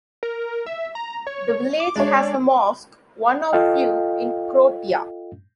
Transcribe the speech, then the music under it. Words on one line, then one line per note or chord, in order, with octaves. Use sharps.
The village has a mosque, one of few in Croatia.
A#4
E5
A#5
C#5
D6
G#3 D4 C#5 D5
F4 A4 D#5 F5 G5